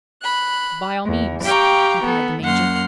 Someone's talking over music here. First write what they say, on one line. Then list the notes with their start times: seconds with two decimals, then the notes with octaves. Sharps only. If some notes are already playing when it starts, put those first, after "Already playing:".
"By all means," replied the major.
0.21 B5 F#6
1.06 E2
1.44 G4 F5 G5 A#5 C#6
2.03 B3 A4
2.42 F#2 A#3 F#5 C6 F6